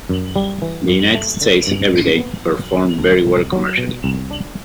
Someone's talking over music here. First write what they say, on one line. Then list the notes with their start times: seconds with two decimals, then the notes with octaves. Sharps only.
In the United States, "Everyday" performed very well commercially.
0.09 F#2
0.36 G3
0.62 E3
0.88 F#2
1.15 A3
1.41 D3
1.67 G2
1.94 A1
2.20 B3
2.46 F#3
2.73 D3
2.98 D2
3.25 C2
3.52 F#3
3.78 B2
4.04 C2
4.31 D4